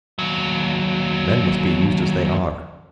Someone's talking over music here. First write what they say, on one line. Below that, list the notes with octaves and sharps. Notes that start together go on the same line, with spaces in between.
Men must be used as they are.
D#2 F#3